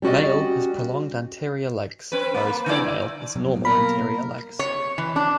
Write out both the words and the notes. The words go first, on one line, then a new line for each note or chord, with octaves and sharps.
Male has prolonged anterior legs whereas female has normal anterior legs.
G3 C#4 F#4 D5 D#5
C4 B4
A#3
D3 E4 D5
B2 F#3 G3
A#3 A#4 B5
C#5
E3
D4